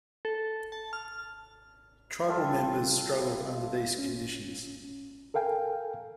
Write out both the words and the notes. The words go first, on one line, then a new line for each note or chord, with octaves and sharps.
Tribal members struggled under these conditions.
A4
A5
F6
G3 E4 F4 A4
C#4
A4 A#4 F5 G5 G#5